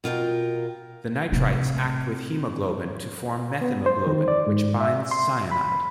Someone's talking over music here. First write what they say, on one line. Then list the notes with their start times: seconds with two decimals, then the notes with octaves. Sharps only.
The nitrites act with hemoglobin to form methemoglobin which binds cyanide.
0.04 B2 F4 A#4 G5
1.32 A2 C3
3.61 B3
3.86 C5
4.07 D#3
4.28 D5
4.47 G#2
4.80 E5
5.11 C6
5.51 B5